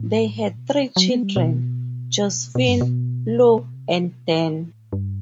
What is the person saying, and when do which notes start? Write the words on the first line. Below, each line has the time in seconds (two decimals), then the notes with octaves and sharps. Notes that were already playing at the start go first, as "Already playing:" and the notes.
They had three children: Josephine, Lou and Dan.
Already playing: A2
0.57 B2
0.70 C3
0.96 F#3
1.10 B3
1.23 G3
1.36 B2
2.55 B2
2.68 G2
2.81 B2
3.74 C3
4.13 B2
4.33 A2
4.93 G2